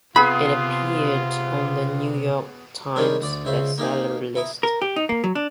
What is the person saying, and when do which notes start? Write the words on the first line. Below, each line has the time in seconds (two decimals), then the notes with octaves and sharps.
It appeared on The New York Times Best Seller list.
0.16 C3 B3 F4 G#4 B5
2.96 D#3 G3 G#3 C#4 D4 A#4
3.21 D2 D5
3.45 C#2 C#3 C5 E5
3.78 A#3 D#4 G4 D#5 F5 G#5
4.35 E4 A#5 D#6
4.63 A#4
4.82 G4
4.96 D#4
5.09 A#3
5.24 F#3
5.35 D4